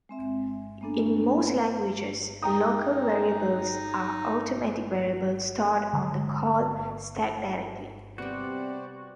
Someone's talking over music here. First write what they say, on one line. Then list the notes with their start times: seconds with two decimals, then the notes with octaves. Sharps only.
In most languages, local variables are automatic variables stored on the call stack directly.
0.09 G#3 C4 E5
0.81 G#3 A#3 B3 D4 A4
2.42 D#4 G5 A#5 D#6
5.93 D3 G#3
8.18 C3 G3 B3 F#4 G4 C5 D5